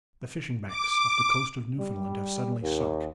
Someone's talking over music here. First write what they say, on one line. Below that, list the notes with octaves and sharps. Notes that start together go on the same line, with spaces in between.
The fishing banks off the Coast of Newfoundland have suddenly sunk.
D6
G3
D#2